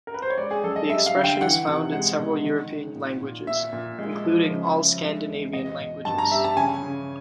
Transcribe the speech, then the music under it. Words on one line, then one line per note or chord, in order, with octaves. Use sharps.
The expression is found in several European languages, including all Scandinavian languages.
A#4
B4
C5
C#5
G#3 D5
G#4
F#2 A4
D#5
G3 E5
F5
D3
G5
E3 F#5
C3
G#3 F#5
B2
D#3
D#3
A#2
A#2
A#2 E5
A#2
G#3
F3
C#3
F3
G#3
E2
B2 D#5
B2
G2 A5
A#5
G3 E5
A5
C#3 G#5
C#3